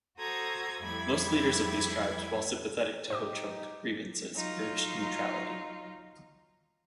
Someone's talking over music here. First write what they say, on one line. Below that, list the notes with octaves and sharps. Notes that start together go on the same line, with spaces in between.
Most leaders of these tribes, while sympathetic to Ho-Chunk grievances, urged neutrality.
F#4 A4 C5 A#5 D#6 G#6
F2 A2 G3 E4 B5 G#6
D#4 G4 C5 D#5 D6
F#3 D#4 F4